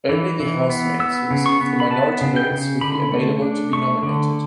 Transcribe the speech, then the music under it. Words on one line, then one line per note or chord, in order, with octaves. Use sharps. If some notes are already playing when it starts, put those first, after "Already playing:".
Only the housemates who received the minority votes would be available to be nominated.
E3
E3
B3
B3 E6
C#3
C#6
B3
B5
B3 A5
C#3
G5
C#3
D3 B5
A3
D4
A3 C#6
D3